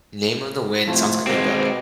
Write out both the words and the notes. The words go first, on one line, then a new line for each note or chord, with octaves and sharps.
Name of the Wind, sounds like good book.
F2 A2 C3 F4 A4
B2 G#3 B3 C4 G4 A#4 C5 D6